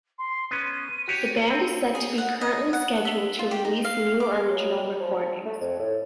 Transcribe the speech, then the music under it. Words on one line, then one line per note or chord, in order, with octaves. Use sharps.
The band is said to be currently scheduled to release new original recordings.
C6
B3 C#4 D#7
F#4 G4 C#5
C4
G#4
F#5
D#5
F#5
E5
F4
G4
D#4
F5
D6
F#3
F3
A3
F2
A2